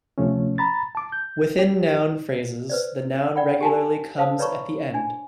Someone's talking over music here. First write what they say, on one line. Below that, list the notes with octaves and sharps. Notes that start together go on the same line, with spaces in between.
Within noun phrases, the noun regularly comes at the end.
D2 C3 F3 A3 C#4
A#5 B5 A6
A5 D6
G6
G4
B4 C5 D5
D5 F#5 G5 B5
G4 G#5 A5
C5 F5 A5 D#6 E6
B4 C#5 D5 A#5 B5 C#6
D4 G#5